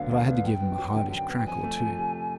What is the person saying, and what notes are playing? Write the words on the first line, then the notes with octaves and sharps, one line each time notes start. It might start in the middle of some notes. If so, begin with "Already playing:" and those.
But I had to give him a hardish crack or two.
Already playing: D2 D3 F#3 B3 F5
D2
B3
F#2 G5
B3
F#3
D3
F#2
B3
F2 G#5
A3
F3
C3